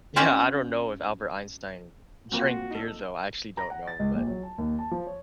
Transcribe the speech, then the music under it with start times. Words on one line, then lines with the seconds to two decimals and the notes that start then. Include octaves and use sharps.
Yeah, I don't know if Albert Einstein drank beers, though, I actually don't know, but
0.16 C4 C#4 F4 F#4 D5 E5
2.32 F3 A#3 C4 F#4
2.71 D#4 A4
3.57 A#5
3.70 F#5
3.87 A6
3.99 C#2
4.14 A#1
4.27 F#3
4.43 A5
4.58 D#2
4.79 A5
4.91 F3
5.07 C#5